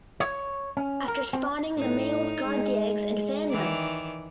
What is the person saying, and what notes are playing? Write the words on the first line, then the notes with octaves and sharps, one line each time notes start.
After spawning the males guard the eggs and fan them.
C#5
C#4
A#4
C4
A2 D#4
G#3
D#3 E3 D5